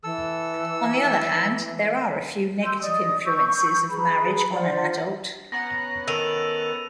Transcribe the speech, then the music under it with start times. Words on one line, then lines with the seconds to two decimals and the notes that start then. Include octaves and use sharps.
On the other hand, there a few negative influences of marriage on an adult.
0.04 E3 A4 E6
2.63 C6 E6 G6
2.82 D5 D#5 D#6
3.24 C#6 E6 G6
3.90 G#4 B4 A#5 B5
4.51 F4 C5 D5 F#5
5.52 B3 C#4 F#5 A#5 A#6
6.08 D#3 A4 E6 D#7 F7